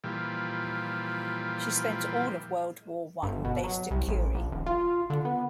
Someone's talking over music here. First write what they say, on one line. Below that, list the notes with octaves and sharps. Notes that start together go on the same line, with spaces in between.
She spent all of World War One based at Kure.
A#2 E3 F3 G3
G1
B2
F#3
C2
A1
A#1
D#1
F4
D3
B3